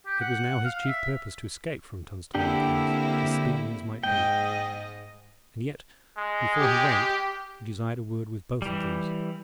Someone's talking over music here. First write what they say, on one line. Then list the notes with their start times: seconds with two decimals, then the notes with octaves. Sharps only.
It was now his chief purpose to escape from Tunstall Moat House as speedily as might be; and yet, before he went, he desired a word with both of these.
0.06 G4
0.20 F#5
0.65 F5
0.87 E5
2.35 D3 A#3 C4 D4 E4 G4
4.04 G#2 G#3 D#5 G5
6.17 G#3
6.58 G4
8.62 E3 G3